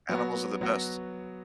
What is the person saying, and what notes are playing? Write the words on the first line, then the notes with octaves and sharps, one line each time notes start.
Animals are the best.
F#3 B3 F#4
F#3 B3 F#4